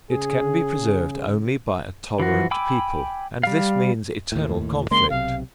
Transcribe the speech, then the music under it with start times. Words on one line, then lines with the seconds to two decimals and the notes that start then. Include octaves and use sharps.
It can be preserved only by a tolerant people, and this means eternal conflict.
0.11 C#3 G#4
2.20 E3 F3 F#4
2.51 G5 G#5 B5 D6 E6
3.43 G3 F5
4.32 D#2 A2
4.91 C#3 G#3 A#3 C6
5.10 B1 C3 F5